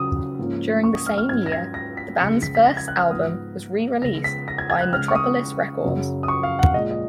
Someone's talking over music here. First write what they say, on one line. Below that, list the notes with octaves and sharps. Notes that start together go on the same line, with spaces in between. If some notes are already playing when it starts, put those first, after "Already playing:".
During the same year the band's first album was rereleased by Metropolis Records.
Already playing: C#3 F#3 C#4 D#6
G#2 F3 A#3 C#4
C#6
D#6
F6
F6
G#2 F#3 C#4 G#6
A#6
G#6
A#6
B6
C#3 F3 G#3 C#4 C#7
B6
B6
A#6
G#6
F#6
F6
G#2 F3 B3 D#6
C#3 G#3 B3 A#6
B6
A#6
G#6
G#6
F#6
C#3 G#3 C#4 F6
C#6
D#6
F#2 C#3 F#3
D#6
C#6
F5
F#5
A#2 F3 G#3 D#5
D#5